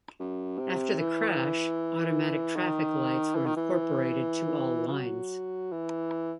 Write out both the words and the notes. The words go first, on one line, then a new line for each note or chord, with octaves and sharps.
After the crash, automatic traffic lights were incorporated to all lines.
F#2
C3
E3
D#3
E3
D#3
E3
E3
F#3
E3